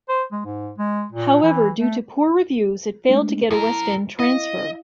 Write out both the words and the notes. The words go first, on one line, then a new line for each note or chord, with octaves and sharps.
However, due to poor reviews, it failed to get a West End transfer.
C5
G#3
G#2
G#3
A#2
E3
A3
G#3 A3 D4
F#2 E4 A#4 A5
E4 D#5 F5